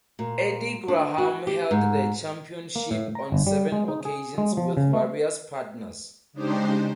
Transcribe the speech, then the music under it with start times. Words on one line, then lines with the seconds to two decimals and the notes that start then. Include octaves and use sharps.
Eddie Graham held the championship on seven occasions with various partners.
0.19 A#2
0.88 D4
1.18 F#4
1.47 G4
1.71 G#2
2.76 A#3
2.91 A2
3.15 A#5
3.32 G1
3.47 G3
3.72 G#3
3.88 D#4
4.05 G#4
4.38 G#3
4.57 F3
4.77 C#3
4.93 A3
6.33 C#3 G#3 D4 D#4 G4 C5